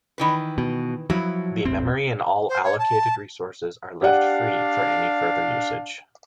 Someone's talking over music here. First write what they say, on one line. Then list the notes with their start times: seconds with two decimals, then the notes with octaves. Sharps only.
The memory and all allocated resources are left free for any further usage.
0.18 D#3 E3 B4
0.58 B2
1.10 F3 F#3 E4
1.65 E1 A1 C4
2.49 C5
2.63 C#5
2.78 A5
4.02 D4 G4 D5 F5 F#5